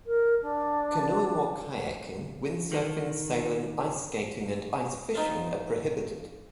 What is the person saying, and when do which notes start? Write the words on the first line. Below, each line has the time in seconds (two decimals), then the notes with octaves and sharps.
Canoeing or kayaking, windsurfing, sailing, ice skating and ice fishing are prohibited.
0.06 A#4
0.42 D4
2.72 D#3
5.15 C4 D#4 F4